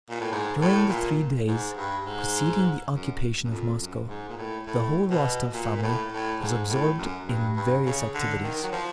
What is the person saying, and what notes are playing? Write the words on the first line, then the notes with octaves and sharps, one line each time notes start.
During the three days preceding the occupation of Moscow the whole Rostov family was absorbed in various activities.
A#2
A2
G#2
A2
A#2
G#2
G2
G#2
F#2
F#2
F2
F#2
G#2
A#2
A2
A2
B2
A#2
A#2
A2
A2
G#2
A2
F#2
G2
G2
C#3
D3
D#3
F#3
F3